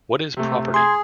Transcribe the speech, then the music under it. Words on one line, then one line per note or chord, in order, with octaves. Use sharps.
What Is Property?
C3 A3
G#4 C6 G#6